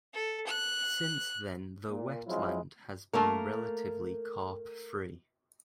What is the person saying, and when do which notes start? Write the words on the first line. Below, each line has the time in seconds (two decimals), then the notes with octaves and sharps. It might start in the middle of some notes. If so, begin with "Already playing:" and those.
Since then the wetland has been relatively carp free.
0.13 A4
0.47 F#6
1.90 A#2
2.27 F3 F#3 G#3 C4 E4 F4
3.13 A3 A#3 A#4